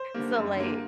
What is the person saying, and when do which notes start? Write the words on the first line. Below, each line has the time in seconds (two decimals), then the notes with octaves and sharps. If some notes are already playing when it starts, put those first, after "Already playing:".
So, like
Already playing: C5
0.14 D3 G3 A#3
0.35 F#2
0.57 D3 G3 A#3